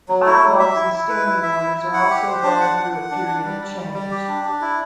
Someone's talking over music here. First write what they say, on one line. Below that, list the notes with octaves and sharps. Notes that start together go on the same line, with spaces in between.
The Bye-Laws and Standing Orders are also going through a period of change.
F#3
E4
F#3
E5
E4
E4
B4
E4
E5
E4
E4
F#5
G4
C5
D4
F#5
F#5
F#5
D4
D4
G3
G3
G3
G3
G4
D4
D4
E4